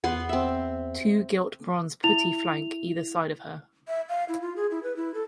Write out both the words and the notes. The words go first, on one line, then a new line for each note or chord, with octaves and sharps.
Two gilt bronze putti flank either side of her.
E2 B3 B4 C6
C4 E5
E4 F7
E5
F5
E4
F4
G#4
E4
B4
E4
A4